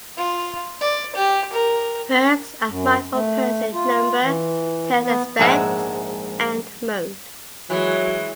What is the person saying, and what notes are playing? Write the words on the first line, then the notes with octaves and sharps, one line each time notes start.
Verbs are marked for person, number, tense-aspect, and mode.
F4
D5
G4
A#4
F#2
A3
F4
E3
B3
A#1 G#2 G#3 E5 F#5 A5
E3 F#3 G#3 C#5